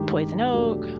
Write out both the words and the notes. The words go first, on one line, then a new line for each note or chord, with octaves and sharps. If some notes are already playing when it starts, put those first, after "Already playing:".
poison oak,
Already playing: G2 D#3 G#3 G4
E2 B2 F#3 A3 D4